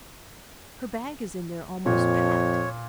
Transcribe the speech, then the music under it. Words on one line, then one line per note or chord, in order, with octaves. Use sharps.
Her bag is in there almost packed.
F2 A#2 C#5